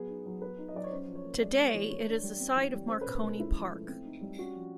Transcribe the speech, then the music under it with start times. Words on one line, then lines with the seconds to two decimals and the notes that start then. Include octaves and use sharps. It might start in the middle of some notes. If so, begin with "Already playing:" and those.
Today it is the site of Marconi Park.
Already playing: F#3 B3 G#4
0.08 D#4
0.26 F#3
0.42 B3 B4
0.58 D#4
0.68 D#5
0.74 F#3 D5
0.84 C#5
0.91 C#4 C5
1.07 F3
1.15 C#5
1.24 A#3
1.41 G#3 D5
1.57 B3
1.66 C#5
1.74 E3
1.90 A#3 C#5
2.07 D4
2.23 G3
2.40 C4
2.56 E3
2.73 G3
2.89 C#4 C5
3.01 B2 B4
3.14 A#4
3.22 G#3 A4
3.40 C#4 E4
3.56 F3
3.72 A3
3.88 C4
4.05 D#4
4.21 G3
4.38 C#4 F#4
4.55 F3